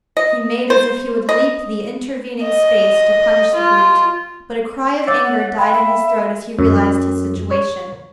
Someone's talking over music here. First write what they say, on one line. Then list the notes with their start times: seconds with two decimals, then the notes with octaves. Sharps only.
He made as if he would leap the intervening space to punish the brute, but a cry of anger died in his throat as he realized his situation.
0.17 D#5
0.70 C5
1.29 D#5
2.44 D#5
3.54 F4
5.07 C#5 D6 E6 A6
5.23 F#5
5.58 F5 G5 B5
5.73 E5
6.59 F#2
7.51 C#5